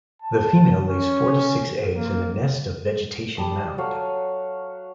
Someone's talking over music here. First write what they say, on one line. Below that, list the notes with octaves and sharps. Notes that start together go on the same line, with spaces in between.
The female lays four to six eggs in a nest of vegetation mound.
A5
C#4
A#3
G3 A5 D#6
F#3 F#4 A4 F5